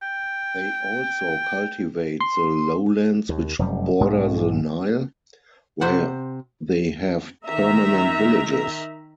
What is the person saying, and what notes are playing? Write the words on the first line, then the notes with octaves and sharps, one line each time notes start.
They also cultivate the lowlands which border the Nile, where they have permanent villages.
G5
C6
D#2
F1 F#2 G3
B1 G#2 G#3
C3 C5 F#5
D#3 E5 A#5